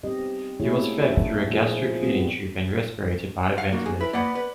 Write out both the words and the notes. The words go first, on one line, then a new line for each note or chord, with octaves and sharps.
He was fed through a gastric feeding tube and respirated by a ventilator.
G3 B3 C4 G4 D#5
A3 A#3 C4 E4 G#4 C#5
D4 F#4 G#4 E5
A#2 F3 E4 F4 G#4
G3 G#3 B3 C4
F5 F#5
B1 A#3 F#4
G#4
E4 B4
A#3 B3 D5 F#5 B5
B4